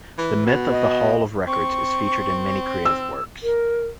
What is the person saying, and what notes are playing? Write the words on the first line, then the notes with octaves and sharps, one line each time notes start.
The myth of the Hall of Records is featured in many creative works.
E3
B2
D#5
C4 C#6
E6
A#4